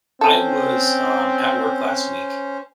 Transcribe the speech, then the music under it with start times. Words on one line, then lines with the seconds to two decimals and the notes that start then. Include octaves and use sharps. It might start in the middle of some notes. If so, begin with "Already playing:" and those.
I was, um, at work last week,
0.21 C4 C#4 A4 C5